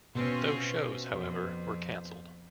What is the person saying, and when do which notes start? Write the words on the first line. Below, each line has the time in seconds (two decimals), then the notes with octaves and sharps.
Those shows, however, were cancelled.
0.15 B2 C4 C#4 F4
1.10 F2